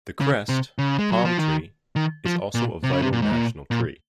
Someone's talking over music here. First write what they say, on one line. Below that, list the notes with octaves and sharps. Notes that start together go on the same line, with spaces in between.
The crest, a palm tree, is also a vital national tree.
C#3
C3
C#3
G#3
F#3
F3
D#3
D#3
F3
A#2
C3
C#3
C3
A#2
G#2
A#2
A#2